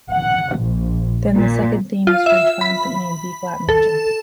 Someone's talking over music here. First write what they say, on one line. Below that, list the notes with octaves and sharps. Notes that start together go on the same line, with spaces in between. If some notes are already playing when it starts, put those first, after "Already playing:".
Then the second theme is heard triumphantly in B-flat major.
F#5
A#1
A#2
F4
E5
B5
A4